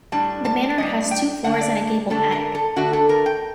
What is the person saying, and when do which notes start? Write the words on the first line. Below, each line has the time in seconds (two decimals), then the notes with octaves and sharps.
The manor has two floors and a gabled attic.
0.12 A2 G3 D4 A5
0.45 A5
0.78 A2 G3 D4 D#5
1.11 G5
1.44 D3 A3 D4 F#5
1.61 D5
2.10 D3 A3 D4 A4
2.32 A#4
2.55 A4
2.76 D3 A3 D4 F#4
2.93 A4
3.09 A#4
3.26 G5